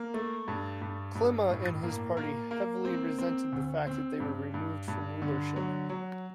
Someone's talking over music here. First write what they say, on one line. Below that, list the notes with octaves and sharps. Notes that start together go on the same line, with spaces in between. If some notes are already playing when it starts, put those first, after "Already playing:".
Klima and his party heavily resented the fact that they were removed from rulership.
Already playing: A#3
A3
G2
G2
G2
A2
A#3
A#3
A#3
C4
C4
D2
C4
G2
G2
G2
D3
F#3
F#3